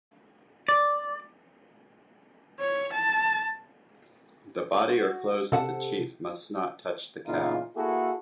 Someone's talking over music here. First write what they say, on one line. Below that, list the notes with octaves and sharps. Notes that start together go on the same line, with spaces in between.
The body or clothes of the chief must not touch the cow.
D5
C#5
A5
F#4
C3 A4 F#5 A5
A#2 C#3 E3 B3 D#4 F4
A#3 E4 F#4 G#4 A4